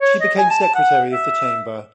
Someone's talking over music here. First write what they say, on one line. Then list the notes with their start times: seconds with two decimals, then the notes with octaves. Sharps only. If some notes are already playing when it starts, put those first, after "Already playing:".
She became secretary of the Chamber.
0.01 C#5
0.20 D#5
0.38 G#5
0.50 A5
0.62 A5
0.75 F#5
1.12 E5